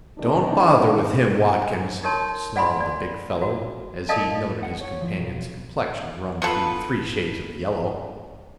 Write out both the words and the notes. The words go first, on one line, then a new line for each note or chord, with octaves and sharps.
"Don't bother with him, Watkins," snarled the big fellow, as he noted his companion's complexion run through three shades of yellow.
E2 C3 D#3 G3 D4
D#4 G4 A#4 C#5 A5 C6
D5 F#5 G#5 B5 C6
D5
F#4
A4 A#4 D5 D#5 F5 A5
F#5
C#5
F3
B1
B3 F4 A4 B4